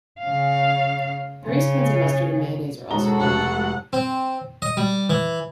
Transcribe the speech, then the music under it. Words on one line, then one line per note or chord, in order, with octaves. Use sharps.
Various kinds of mustard and mayonnaise are also common.
C#3 F5
C#3
E1 G#3 F#4 A4 A#5 G7
F1 F#5
C4
D#5
G3
E3